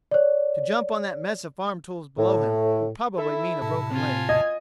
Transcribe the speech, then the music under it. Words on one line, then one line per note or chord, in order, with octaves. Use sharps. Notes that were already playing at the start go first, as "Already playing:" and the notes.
To jump on that mess of farm tools below him would probably mean a broken leg.
C#5 D5
A2
E4 A4 E5
A2 C3 A5
C4 F4 G#5
D#5 G#6